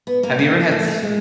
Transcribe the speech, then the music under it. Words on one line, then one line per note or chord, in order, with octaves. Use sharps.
Have you ever had s
B3
A#3
A#3
A3
G#3